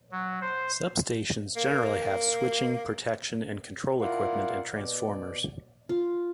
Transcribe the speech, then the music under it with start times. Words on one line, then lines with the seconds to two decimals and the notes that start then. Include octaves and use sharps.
Substations generally have switching, protection and control equipment, and transformers.
0.12 F#3
0.41 C5
1.57 A#3
4.00 E4 F4 A#4 D5 F5 F#5
4.73 B2 D5
5.89 F4